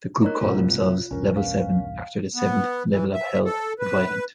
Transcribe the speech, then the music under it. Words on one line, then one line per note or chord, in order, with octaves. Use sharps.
The group called themselves Level Seven after the seventh level of hell, the "violent".
D#4 A#4 C#5 A#5 F#6
F#1 C2 A#2 G3 A3 F4
B1 E2 G2 C#4 A#4
F5
B3
E3
E5
A4
B4